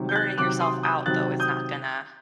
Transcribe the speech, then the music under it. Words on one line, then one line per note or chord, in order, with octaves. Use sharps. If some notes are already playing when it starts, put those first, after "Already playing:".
burning yourself out though is not gonna
Already playing: C3 D#3 F#3
G6
F#6 A6
C3 D#3 F#3 D6 F#6
C6 D#6
D#6 G6
C3 D#3 F#3 F#6 A6
D#6 G6